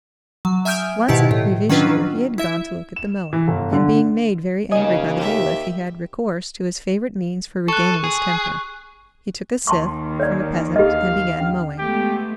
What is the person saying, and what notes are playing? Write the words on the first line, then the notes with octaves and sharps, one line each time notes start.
Once in a previous year he had gone to look at the mowing, and being made very angry by the bailiff he had recourse to his favorite means for regaining his temper,--he took a scythe from a peasant and began mowing.
F#3
E5 G#5 D#6 F6 G6 D7
G#2 B2 D#3 E4 G4
A2
D#3 F#3 C#4 D4 F4 B4
E4 E5
E7
E3
G1
D3
D#2 C#3 D#5 G#5
G4 E5
A4 C#6 F#6
G#4
D#2 D#3 A5 C6 C#6
C#5 D5
G4 D#5 F5
C#4
G#3 A3 B3 G4